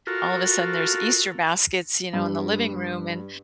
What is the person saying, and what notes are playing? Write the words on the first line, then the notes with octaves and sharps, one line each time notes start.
all of a sudden, there's Easter baskets, you know, in the living room, and
F4 F#4 A4 A#4
G2